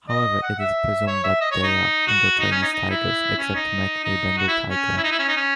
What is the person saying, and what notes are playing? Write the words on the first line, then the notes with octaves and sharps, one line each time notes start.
However, it is presumed that they are Indochinese tigers, except Mek, a Bengal tiger.
D#5
F#5
E5
C#5
E5
D#5
C#5
D#4
F#4
D#4
C#4
D#4
D#4
E4
C#4
D#4
D#4
F#4
E4
C#4
E4
D#4
E4
C#4
D#4
C#4